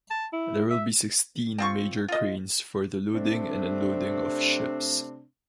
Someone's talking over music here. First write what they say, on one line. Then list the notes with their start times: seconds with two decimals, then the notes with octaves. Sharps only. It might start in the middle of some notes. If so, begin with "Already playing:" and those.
There will be sixteen major cranes for the loading and unloading of ships.
0.10 A5
0.33 E4
0.70 E5
1.58 C4 F4 C#6
2.08 F4 D#5
3.14 C3 A3 C4 D4